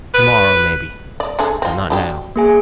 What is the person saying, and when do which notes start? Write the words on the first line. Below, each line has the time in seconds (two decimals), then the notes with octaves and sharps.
Tomorrow maybe, but not now.
0.14 B4
1.20 D5
1.39 A3 D4 G#4
1.62 C4 F4
1.90 F#3 D4 G4
2.36 A#3 G#4 G#5